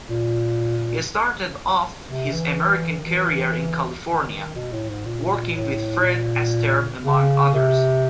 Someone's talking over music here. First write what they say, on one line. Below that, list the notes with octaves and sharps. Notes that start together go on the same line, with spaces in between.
He started off his American career in California, working with Fred Astaire among others.
A#2
C3
E3
D#3
E3
D#3
B2
A2
G#2
A#2
A2
A2
A#2
C#3
C3